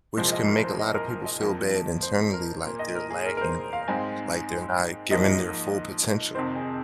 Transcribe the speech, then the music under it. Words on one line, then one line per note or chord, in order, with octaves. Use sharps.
which can make a lotta people feel bad internally, like they're lacking or like, they're not giving their full potential.
C2 A#2 F3 G#3 C5
D#5
A#4
C5
D#5
A#4
A#4
D#5
F2 F3 A#3
C5
A#4
A#2 A#3
D#5
A#4
G#4
A#4
A#4
C5
F5
G#2 G#3 C4 G#5
G#2 F3 A#3 D#5
F2 C3 D#3 C4 C5
G#4